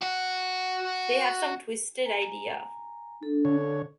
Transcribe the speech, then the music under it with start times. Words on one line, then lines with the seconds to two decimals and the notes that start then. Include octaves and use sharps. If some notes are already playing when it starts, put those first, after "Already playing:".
They have some twisted idea.
0.02 F#4 F#5
2.06 G#5 A#5
3.23 A4
3.45 D3 C#5